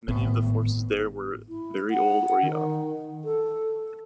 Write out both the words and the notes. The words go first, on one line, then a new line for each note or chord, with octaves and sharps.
Many of the forces there were very old or young.
G#1 A2 B3
E4
F#5
D#3
A4